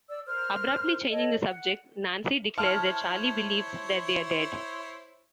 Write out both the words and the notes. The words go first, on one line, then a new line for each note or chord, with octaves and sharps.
Abruptly changing the subject, Nancy declares that Charlie believes that they are dead.
D5 E6
A#4 C5 F6
A4 C#5 D#5
F#5
E4 C5 C#5 A5 F6